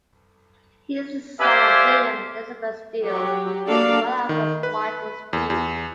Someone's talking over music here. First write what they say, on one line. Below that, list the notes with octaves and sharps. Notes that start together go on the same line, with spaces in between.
He is the son of William and Elizabeth Steel, and brother of Michael Steel.
G4 C5 D5 E5 F5 G#5
F#3 G4
A#3 D4 F#4 A4 D5 F5
D#3
B4
E2
E2